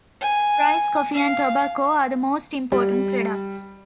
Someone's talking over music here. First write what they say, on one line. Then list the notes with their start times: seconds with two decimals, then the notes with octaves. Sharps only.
Rice, coffee and tobacco are the most important products.
0.21 G#5
1.14 F5
2.72 G3